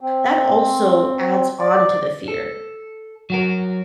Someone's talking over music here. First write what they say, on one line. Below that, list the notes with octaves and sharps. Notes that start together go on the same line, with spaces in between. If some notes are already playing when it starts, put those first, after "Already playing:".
that also adds on to the fear,
C4
D5
A4
F#3 F#4 A#4